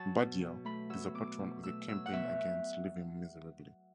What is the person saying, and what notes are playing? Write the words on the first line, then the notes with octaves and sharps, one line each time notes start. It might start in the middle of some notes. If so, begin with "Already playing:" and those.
Baddiel is a patron of the "Campaign Against Living Miserably".
Already playing: F#3 A5
B2
B2
A3 B5
F#3 E6
B2 D6
B2
A3 E6
F#3 E6
F#5
B2 E5